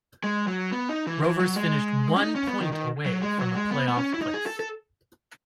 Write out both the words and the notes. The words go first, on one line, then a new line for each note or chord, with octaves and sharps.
Rovers finished one point away from a play-off place.
G#3
F#3
B3
D#4
E3
E3
F#3
G#3
C#4
D#4
C#4
B3
D#3
D#3
F#3
G#3
F#3
G#3
B3
B3
C#4
E4
D#4
G#4
A4
A4